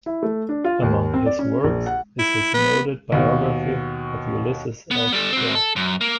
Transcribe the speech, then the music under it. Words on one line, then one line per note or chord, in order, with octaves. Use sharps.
Among his works is his noted biography of Ulysses S. Grant.
E4
A3
D4
F4
D#2
C4
D5
C#4
A#1
F#5
E4
B3
D#2 B2
B3 F#5
G3 A4
C4 F#4
A4
F#2
A#3